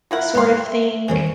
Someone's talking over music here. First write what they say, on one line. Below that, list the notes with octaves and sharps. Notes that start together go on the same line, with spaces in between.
sort of thing
A#3 E4 F4 A#4 F5 F#5
G#2 C#5 F5 G5 C6 F#6
E5
E2 D#3 E3 G3 C4 G#4 C#5